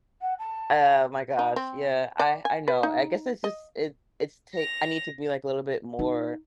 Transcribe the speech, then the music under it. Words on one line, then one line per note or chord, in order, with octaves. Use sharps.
Oh my gosh, yeah, I I know, I guess it's just, it it's t I need to be like a little bit more
F#5
A5
D#4
C4
D5
G#5
B4
D#4
D#5
A#6 F7
D#4